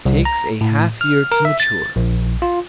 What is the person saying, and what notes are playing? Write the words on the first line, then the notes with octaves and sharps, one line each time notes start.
Takes a half year to mature.
C2
A#5
A2
F6
A#4
E5
A6
A#1
F4